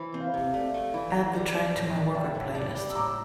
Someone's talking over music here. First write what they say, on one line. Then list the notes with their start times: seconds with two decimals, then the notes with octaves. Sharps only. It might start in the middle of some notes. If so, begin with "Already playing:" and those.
Add the track to my workout playlist.
Already playing: E3 C5 E5
0.14 C4
0.20 F5
0.27 C5 E5
0.34 C3
0.54 A3 D5 F5
0.74 A3
0.94 E3
1.14 E3
1.34 G3
1.54 D4
1.74 A2
1.95 D4
2.15 D4 E5 G5
2.35 A2
2.55 D4
2.75 G3
2.90 E6
2.95 A2 A#5 D6